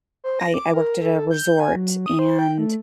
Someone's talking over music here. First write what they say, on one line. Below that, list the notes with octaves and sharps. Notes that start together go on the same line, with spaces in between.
I I worked at a resort, and
C5
A#6
D6
A#4
A4
G6
G#5
F#3
D#6
C5
G5
A3